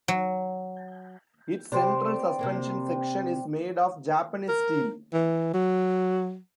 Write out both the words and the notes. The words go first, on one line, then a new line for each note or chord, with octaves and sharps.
Its central suspension section is made of Japanese steel.
F#3
C3 G3 C5 D5
C3 A#3 C4
A#4
E3
F#3